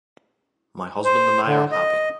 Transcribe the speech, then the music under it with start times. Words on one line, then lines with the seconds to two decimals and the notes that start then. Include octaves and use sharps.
My husband and I are happy.
1.05 C5
1.47 D3
1.71 D#5